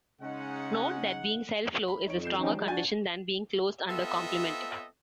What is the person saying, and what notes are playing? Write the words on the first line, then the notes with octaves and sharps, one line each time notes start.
Note that being self-low is a stronger condition than being closed under complement.
C#3 G#3 D#4 F#5
B5
F2 D#4 C#5 D7
G6 C7 E7
D#3 F3 F#3 C4 C#4 D#4
G3 G#3
D4 F#4 G#5 G6 A6
B3 C4 F4 A4 D#5 E5